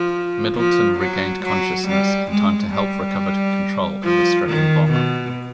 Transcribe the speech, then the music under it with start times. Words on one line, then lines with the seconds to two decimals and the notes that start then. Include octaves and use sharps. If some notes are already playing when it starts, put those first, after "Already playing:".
Middleton regained consciousness in time to help recover control of his stricken bomber.
Already playing: F3
0.56 F3
0.99 F#3
1.44 F#3
1.88 G3
2.31 G#3
2.74 G3
4.04 F3
4.47 D#3
4.92 B2